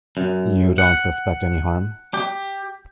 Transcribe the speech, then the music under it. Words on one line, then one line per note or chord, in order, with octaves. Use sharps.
You don't suspect any harm?
F#2
F#5
G4